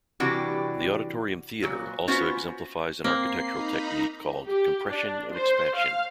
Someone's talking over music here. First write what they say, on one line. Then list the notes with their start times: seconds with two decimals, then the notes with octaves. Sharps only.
The Auditorium Theatre also exemplifies an architectural technique called "compression and expansion".
0.20 C3 E3 G3 D4 F#4 G4
1.62 A#2 F#3
2.08 B3 C#4 F4 F#4 C5
3.04 A#3 C4 C7
3.48 D#4 A#5 B5
4.47 G4
4.88 D4
5.34 C5
5.76 F5